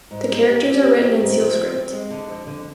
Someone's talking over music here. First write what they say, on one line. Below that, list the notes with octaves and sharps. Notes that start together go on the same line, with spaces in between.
The characters are written in seal script.
G#2
G#2
G4
C4
G4
C4
G#2
F3
C4
C4
G#3
D3
F2
D3